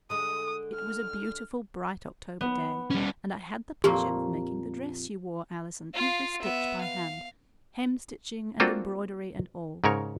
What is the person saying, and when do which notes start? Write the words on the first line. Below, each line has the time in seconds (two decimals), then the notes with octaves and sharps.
It was a beautiful bright October day, and I had the pleasure of making the dress you wore, Allison, every stitch by hand, hemstitching and embroidery and all.
0.10 D3 G#3 D#6
0.74 F6
2.41 B3
2.90 G3 C#4
3.84 F2 A#2 A#3 G4
5.95 F4 F5
6.42 B3 E5
6.82 F5
8.60 A#3 C4 D4 F4 F#4 A4
9.84 G#2 C#3 A#4 C#5